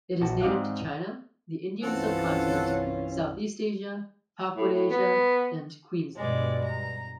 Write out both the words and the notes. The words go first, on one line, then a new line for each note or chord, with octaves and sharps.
It is native to China, the Indian Subcontinent, Southeast Asia, Papuasia, and Queensland.
A#1 F#4 A5
G#2 C4 D5 D#5 F5 F#5
C2 G2 E3 C4 C#4 F4 A4 F#5
A2
A2
B3
G2 B2 G3 G#3 D5
A#5